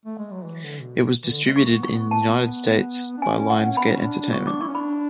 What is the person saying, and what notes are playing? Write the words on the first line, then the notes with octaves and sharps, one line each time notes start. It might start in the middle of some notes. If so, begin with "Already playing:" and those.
It was distributed in the United States by Lions Gate Entertainment.
A3
G#3
F#3
E3
D3
B2
E3
D3
G#3
A3 C#6
B3
C#6
B3
B3 A5
A3
B3
D4
C#4 G#5
C#4 F#5
B3 B5
D4
C#4
D4
D4
B3 C#6
D4 D6
E4 C#6
C#4
D4 B5